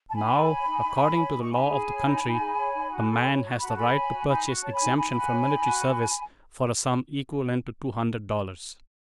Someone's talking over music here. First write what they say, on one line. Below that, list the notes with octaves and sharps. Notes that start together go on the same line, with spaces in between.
Now, according to the law of the country, a man has the right to purchase exemption from military service for a sum equivalent to two hundred dollars.
A5
D#4 G#5 B5
A4
C#5
D#4
D#4
A4
C#5
D#4
C#6
D#4 G#5 B5
G#4
C#5
D#4
D#4
G#4
C#5
D#4
F#4
A4
C#5
F#4
F#4 B5
A5
A4 G#5 B5
C#5
F#4
D#4 G#5 B5
F#4
C#5 A5
G#5 B5
D#4
D#4 G#5 B5
F#4
C#5
D#4
F#4